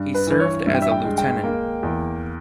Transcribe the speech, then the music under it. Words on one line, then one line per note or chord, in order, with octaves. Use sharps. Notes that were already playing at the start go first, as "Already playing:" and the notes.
He served as a lieutenant.
Already playing: G2
B4
E3 B4
C#5
G2 E5
G5
E5
G5
G#3
G5
A#3
E2